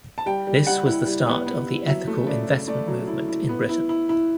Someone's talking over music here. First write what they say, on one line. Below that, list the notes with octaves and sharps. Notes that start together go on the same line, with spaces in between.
This was the start of the ethical investment movement in Britain.
A5
G3 G5
G3
G3 F#5
E4
G3
B3
B3
E4
F#3 E5
A3
C#3 D5
C#3
A3 D5
F#3
E4
E4
B3
E4
E4
E4